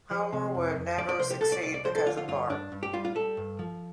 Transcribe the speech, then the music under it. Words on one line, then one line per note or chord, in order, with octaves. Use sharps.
Homer would never succeed because of Bart.
F3
C3
F2
F2
F3 D5
D5
C3 C5
G4
C2 A4
D5
C2 D5
D5
F3 C5
A4
D3 F4
F4
G2 F4
G2 D4
G2
G4
G3 F4
F4
G3 A4
G2
F3